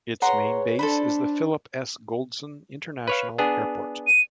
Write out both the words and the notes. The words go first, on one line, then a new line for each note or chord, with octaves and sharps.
Its main base is the Philip S. W. Goldson International Airport.
G#4 B4 C#5 F#5 A#5 C6
D4 A4 C5 B5
B4 C#5 F5
B3 D4 G#4
D#7